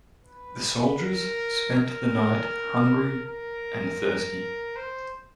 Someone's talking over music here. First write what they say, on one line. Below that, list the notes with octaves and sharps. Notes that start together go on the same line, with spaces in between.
The soldiers spent the night hungry and thirsty.
B4
A#4
A#4
A#4
C5